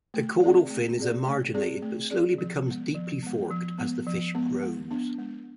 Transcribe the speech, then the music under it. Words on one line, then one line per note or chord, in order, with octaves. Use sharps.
The caudal fin is emarginate but slowly becomes deeply forked as the fish grows.
A3
C4 G#4 D5
A3
C4 G#4 D5
A3
C4 G#4 D5
A3
C4 G#4 D5
F3
G#3 B3
F3
G#3 B3
F3
G#3 B3
F3
G#3 B3
G#3
B3 D4
G#3